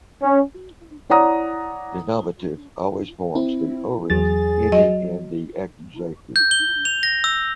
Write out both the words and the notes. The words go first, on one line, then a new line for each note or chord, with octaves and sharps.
The nominative always forms the "-orem" ending in the accusative.
C#4
E4 C#5 D5 F#5 A#5 D#6
C4 E4
E2 F#3 G#4 A6
F#3 D#5
G6
G7
F7
A#6
E6